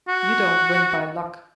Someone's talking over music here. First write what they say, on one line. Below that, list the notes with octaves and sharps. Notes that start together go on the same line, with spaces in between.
You don't win by luck.
F#4